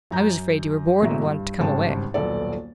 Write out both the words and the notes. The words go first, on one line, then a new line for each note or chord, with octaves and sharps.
"I was afraid you were bored and wanted to come away."
F#2 A#5 G6
A1 B2 G#3 A#3 E5 A#5
G2
G#1 G2 C#3 G5 A5
D#1 B1 B3 A4 D5